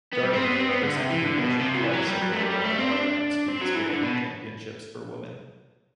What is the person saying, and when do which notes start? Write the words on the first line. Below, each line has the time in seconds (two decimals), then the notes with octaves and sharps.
Gardiner represented her nation twice at the World Allround Speed Skating Championships for Women.
0.13 B3
0.23 G3
0.33 C4
0.44 B3
0.55 C4
0.68 B3
0.83 D3
0.96 C3
1.10 E3
1.24 D3
1.38 B2
1.59 C3
1.74 F#3
1.80 E3
1.93 F#3
2.08 G3
2.22 F#3
2.32 A3
2.42 G3
2.64 A3
2.78 C4
2.91 D4
3.48 C4
3.61 F#3
3.75 E3
3.89 D3
4.03 B2